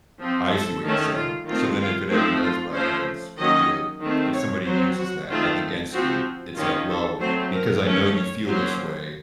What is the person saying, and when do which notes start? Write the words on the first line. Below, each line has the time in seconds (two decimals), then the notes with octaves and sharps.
I see what you're saying, so then if it ever does butt heads, it if somebody uses that, like against you, it's like, "Well, because I know you feel this way.
0.19 F3 C4
0.52 A4
0.83 D#3 A3 C#4
1.16 F4
1.47 D#3 A3 C4 F4
1.79 F4
2.11 F3 A3 C4 D#4
2.43 F4
2.74 F3 A3 C#4 C5
3.38 D#3 F#3 A#3 C#4 D#5
4.01 D#3 A3 C4
4.33 C#5
4.65 F#3 C4 C5
4.98 F#4
5.29 D#3 A3 C4 F4
5.93 F3 C4 F#4
6.56 D#3 A#3 C#4 F4
6.89 A4
7.20 F#3 A3 C4 C5
7.51 A#4
7.84 D#3 A3 C#4
8.16 C#5
8.48 F#3 A#3 C#4 C5